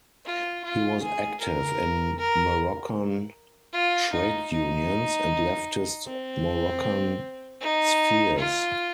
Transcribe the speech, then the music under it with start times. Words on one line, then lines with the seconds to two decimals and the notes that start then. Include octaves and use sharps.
He was active in Moroccan trade unions and leftist Moroccan spheres.
0.26 F4
0.64 F4
1.02 G#4
1.41 A#4
2.19 A#4
3.73 F4
4.12 D#4
4.51 D#4
6.05 C4
7.61 D#4
8.38 F4